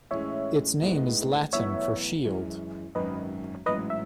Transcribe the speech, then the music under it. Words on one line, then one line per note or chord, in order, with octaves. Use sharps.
Its name is Latin for shield.
A2 E3 G#3 C#4 C#5 E5
A2 G#3 B3 D#4
B1 A2 E3 B3 C#5 E5
F#2 E3 G#3 C#4
G#1 F#2 D#3 F#3 C#4 B4 D#5
A1 G#2 F#3 C#4 E4 B4 D#5
E5